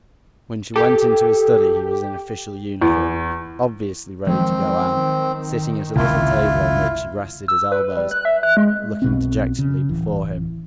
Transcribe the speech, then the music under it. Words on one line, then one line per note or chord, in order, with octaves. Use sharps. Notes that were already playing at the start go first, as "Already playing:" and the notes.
When she went into his study he was in official uniform, obviously ready to go out, sitting at a little table on which he rested his elbows, looking dejectedly before him.
G4 A4
E2
D#3 F3 F#3 G#3 C4
G1 C#2 C3 E4 F4
E6
B4
B4
G3
F#6
E5
F#6
G#3
B1 B2 C4
C#3
D1 E3